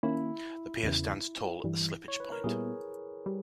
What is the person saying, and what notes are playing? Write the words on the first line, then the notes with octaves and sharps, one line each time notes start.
The pier stands tall at the slippage point.
D#3 A#3 C#4 E4
E2 C#3 E3
G2 E3 G3
C#5
B4
A#4
A#2 G3 B3 E4 G#4
G3